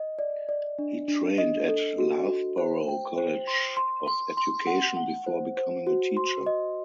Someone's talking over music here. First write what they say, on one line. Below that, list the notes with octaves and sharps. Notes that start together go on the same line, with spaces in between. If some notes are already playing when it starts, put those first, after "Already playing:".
He trained at Loughborough College of Education before becoming a teacher.
Already playing: D#5
D5
D5
D4
D4
D#5
A4
F#4
F#4
C5
G5
C5
C6
C6
C6
C6
F#5
F#5
C5
C5
F#4
C6
D#5